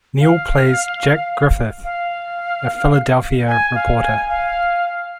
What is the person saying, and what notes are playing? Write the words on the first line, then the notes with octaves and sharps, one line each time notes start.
Neal plays Jack Griffith, a Philadelphia reporter.
F5
F5
G#5
F5
G#5
F5